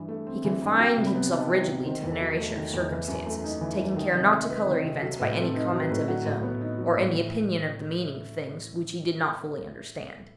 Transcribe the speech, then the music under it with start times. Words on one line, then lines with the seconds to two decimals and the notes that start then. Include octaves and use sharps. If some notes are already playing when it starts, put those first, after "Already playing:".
He confined himself rigidly to the narration of circumstances, taking care not to colour events by any comment of his own, or any opinion of the meaning of things which he did not fully understand.
Already playing: G2 E3
0.09 A3
0.27 C4
0.45 E3
0.62 G2
0.79 F#3 G5
0.97 C3
1.07 B5
1.15 B3
1.32 D#4 A5
1.50 F#3
1.68 C3
1.85 D#3 C5
2.03 E2
2.12 A4
2.21 F#3
2.38 A3
2.56 D#3
2.73 E2
2.91 E3 B4
3.08 F#2
3.26 A3
3.44 D#4
3.61 E3
3.79 F#2
3.96 D#3 D#5
4.14 C3
4.23 E5
4.32 A3
4.50 C4 B4
4.67 D#3
4.76 B4
4.85 C3
5.02 F#3 A4
5.20 A2 B4
5.38 C4 A4
5.55 D#4 B4
5.68 F#3 C5
5.82 B4
5.91 A2
6.08 F#3 F#5
6.26 A2
6.43 B3
6.61 D#4
6.78 F#3
6.96 A2
7.14 E3